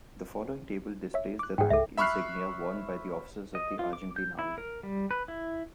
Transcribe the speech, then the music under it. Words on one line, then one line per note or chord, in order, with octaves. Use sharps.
The following table displays the rank insignia worn by officers of the Argentine Army.
C#5 E5
D6 F#6
G#2 G#4 F#5 G5
C#2 A4 E5
E5 B5 C#6 F6 F#6 C7
D#5
F4
D6
G6
E4
A#4
G3
B4
E4